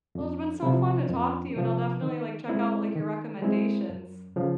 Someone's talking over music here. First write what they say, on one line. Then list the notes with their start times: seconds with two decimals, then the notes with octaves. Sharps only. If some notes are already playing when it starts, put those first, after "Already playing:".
Well, it's been so fun to talk to you and I'll definitely, like, check out, like, your recommendations.
0.15 F2
0.63 C3 F3
1.09 F2
1.56 C3 F3
2.02 D#3
2.48 G#3 C4 E4
2.96 D#3
3.42 G#3 C4 E4
3.89 F#2
4.36 C#3 F3